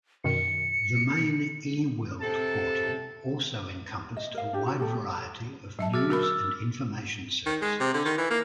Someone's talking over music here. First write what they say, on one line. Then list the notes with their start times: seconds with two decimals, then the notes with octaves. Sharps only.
The main eWorld portal also encompassed a wide variety of news and information services.
0.24 F#2 B2 D#3 C#7
2.21 C3 A4 A5
4.17 D#5
4.34 A#4 F5
4.53 D4 G4
4.66 F#4
4.80 G4 A4
5.79 F#3 E5 A5
5.93 F#4 G#4 D6 F6 A6
6.10 F#4 A#4 B5
6.23 E6
7.46 D#3
7.61 G#3
7.80 C3
7.94 D3
8.05 D#3
8.18 E3
8.30 A#3